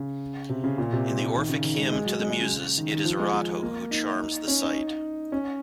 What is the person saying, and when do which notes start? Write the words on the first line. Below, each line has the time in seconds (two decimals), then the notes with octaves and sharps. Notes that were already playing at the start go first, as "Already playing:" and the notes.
In the Orphic hymn to the Muses, it is Erato who charms the sight.
Already playing: C#3
0.49 C3
0.64 C#3
0.78 A#2
0.93 C3
1.35 D#3
1.49 C#3
1.63 D#3
1.77 G#3
1.91 G#3
2.06 F#3
2.20 G#3
2.30 G#3
2.40 C#3
2.77 D#3
2.91 D#3
3.05 F3
3.19 G#3
3.33 G#3
3.62 A#3
3.91 D#4
4.48 C#4
4.62 D#4
5.32 C#4